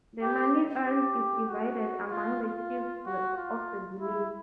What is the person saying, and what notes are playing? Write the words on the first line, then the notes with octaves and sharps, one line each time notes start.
The money earned is divided among the chiefs of the village.
G4
G4
F#4
F4
F4
F#4
F4
E4